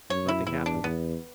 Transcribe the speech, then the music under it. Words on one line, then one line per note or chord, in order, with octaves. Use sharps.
Nothing happened.
F#2 C#5
E4
E2 E4
D4
E2 B3